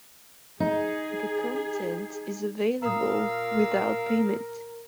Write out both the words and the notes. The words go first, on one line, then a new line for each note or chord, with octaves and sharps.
The content is available without payment.
D#4 G#4
A#2 A#4 F5 A#5 D#6 E6